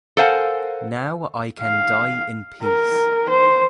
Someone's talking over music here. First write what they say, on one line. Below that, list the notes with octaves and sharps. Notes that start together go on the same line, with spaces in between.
Now I can die in peace.
A4 A#4 C5 F5 F#5 G#5
F5
A#4
C5